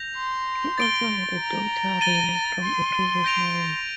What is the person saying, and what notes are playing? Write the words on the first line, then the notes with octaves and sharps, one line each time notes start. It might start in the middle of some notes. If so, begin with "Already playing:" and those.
He also had a daughter Renee from a previous marriage.
Already playing: G6 A#6 F7
C6
A6 D7 G7
A#5
A6 D#7 G7
C6
G6 A#6 D7 F7